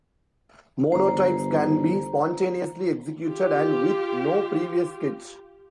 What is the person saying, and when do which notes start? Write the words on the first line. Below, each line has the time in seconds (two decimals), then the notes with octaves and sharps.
Monotypes can be spontaneously executed and with no previous sketch.
0.92 G1 C5 A#5
3.27 F4 G4